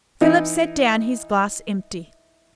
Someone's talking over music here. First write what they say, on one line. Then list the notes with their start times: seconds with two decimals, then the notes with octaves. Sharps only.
Philip set down his glass empty.
0.21 E3 D#4 E4